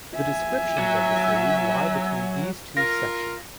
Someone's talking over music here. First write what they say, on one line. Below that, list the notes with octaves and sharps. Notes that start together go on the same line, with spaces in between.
The descriptions of the cities lie between these two sections.
E5 G#5
F#3
F4 A#4 A#6